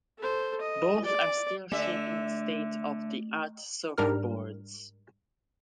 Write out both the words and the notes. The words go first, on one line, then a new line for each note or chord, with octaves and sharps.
Both are still shaping state of the art surfboards.
A4 C5
D#5
D5
D3 A3 E5
G#2 G3 D4 A#4 F6